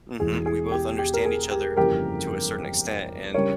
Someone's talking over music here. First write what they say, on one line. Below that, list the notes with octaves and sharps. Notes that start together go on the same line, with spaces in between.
mhm, we both understand each other to a certain extent and
E1 E2 E3 G#4
G#4
G4
G4
A#4
G#4
G4
G1 F2 C#3 E3 A#3 G4 A#4
C#3 G3 C#4 A#4 C#5